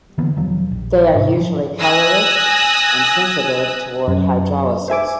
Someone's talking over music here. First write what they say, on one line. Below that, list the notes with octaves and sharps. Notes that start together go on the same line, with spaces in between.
They are usually colorless and sensitive toward hydrolysis.
D3 E3 A#3 B3
E1 D#3 F3 F#3
A#1
G#2 C3
E3 F3
G#5 D#6 E6 F#6 A#6
F#2
C5 E5 G#5 D6